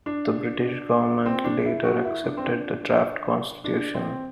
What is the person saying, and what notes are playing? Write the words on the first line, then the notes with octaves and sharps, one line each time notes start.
The British Government later accepted the draft constitution.
D4
C4
D4
E4
F#4
E4
D4
C4
D4
D4
C4